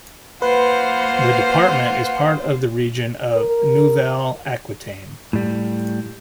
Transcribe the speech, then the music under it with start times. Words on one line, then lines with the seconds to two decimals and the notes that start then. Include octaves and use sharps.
The department is part of the region of Nouvelle-Aquitaine.
0.42 A#3 F4 B4 C5 F#5
3.37 A#4
5.33 A2 G3